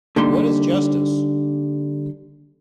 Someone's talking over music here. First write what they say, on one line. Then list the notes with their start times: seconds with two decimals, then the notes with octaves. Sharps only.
What is justice?
0.16 D3 G3 A#3 D#4 C6